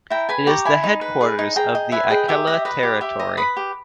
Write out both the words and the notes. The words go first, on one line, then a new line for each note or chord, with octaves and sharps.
It is the headquarters of the Ikela Territory.
E4 G5 A#5
B4 G#5 B5
G4 A#5 C#6
E4 G#5 B5
D#4
B4
G#4
D#4
G#4 G5 A#5
D#5
B4 E5 G#5
G#4 D#5 G5
G4 E5
D#5
E5
B4 D#5
G4
G4 E5
D#5
B4 B5 D#6
G4